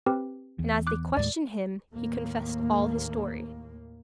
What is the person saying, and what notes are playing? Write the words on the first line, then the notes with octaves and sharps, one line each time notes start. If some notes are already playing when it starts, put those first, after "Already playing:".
And as they questioned him, he confessed all his story.
C4 G4 B4
E2
D6 F#6
D#2 A2 G#3 D5
D#2 A2 A#3